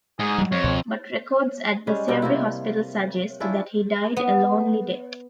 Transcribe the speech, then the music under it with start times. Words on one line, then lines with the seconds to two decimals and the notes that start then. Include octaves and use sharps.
But records at the Sewri Hospital suggest that he died a lonely death.
0.19 G#2 G#4
0.38 F#3 G3
0.52 F2 C#5
0.64 C#2 B2
1.87 G3 G#3 C#4
2.08 B2 G3 C4
2.22 C3 A#3 E4
3.40 C#4 D4 E4 F4
4.17 B3